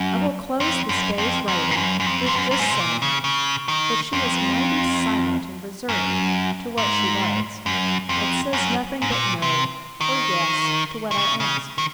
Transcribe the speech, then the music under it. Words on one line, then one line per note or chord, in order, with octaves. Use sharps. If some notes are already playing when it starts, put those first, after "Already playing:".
I will close this day's writing, with just saying, that she is mighty silent and reserved, to what she was: and says nothing but No, or Yes, to what I ask.
Already playing: F#2
F2
F#2
F2
F2
G#2
F#2
F#2
F2
G#2
F#2
F#2
G#2
C3
A#2
C#3
C#3
D#3
F2
F#2
G#2
F#2
F2
F#2
G#2
A#2
C3
D#3
D#3
C#3
C#3
D#3